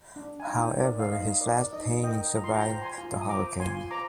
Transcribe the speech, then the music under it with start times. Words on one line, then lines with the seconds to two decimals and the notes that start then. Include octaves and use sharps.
However, his last painting survived the hurricane.
0.16 D4
0.40 G#5
0.47 D#4 G5 A#5
0.79 A#4 D5
0.99 F5
1.10 D#4 D#5
1.41 A#4 D5
1.56 D5
1.73 D#4 D#5
2.03 A#4 D#5 G5
2.35 F4 A#5
2.44 C6
2.54 G5 A#5
2.66 C5
2.72 A#5
2.82 G#5 C6
2.98 F4
3.21 D#6
3.29 C5 A#5 D6
3.60 F4 G#5 C6
3.91 C5 A#5 D6